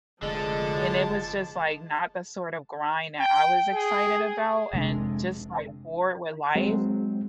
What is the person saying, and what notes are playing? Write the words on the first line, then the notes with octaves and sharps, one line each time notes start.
and it was just, like, not the sort of grind that I was excited about and just, like, bored with life.
F1 D3 F3 G#3 A5
G5
G#4
F1 C3 G#3 D4
F#3 G#3 C4